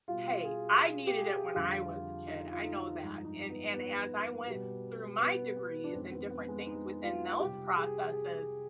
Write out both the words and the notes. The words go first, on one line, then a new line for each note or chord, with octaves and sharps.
"Hey, I needed it when I was kid," I know that. And and as I went through my degrees and different things within those processes,
B2 G3 F4
G#4
G4
G#4
F2 D3 G3 F4
D#4
F4
D#4
G2 F3 G#3 D#4
D#4
B3
B3
B2 G3
B3
B3
D4
F2 D#3 G#3 C4
B3
B3
G#3
D#4
F4
C3 G3 G4
G#4
G#4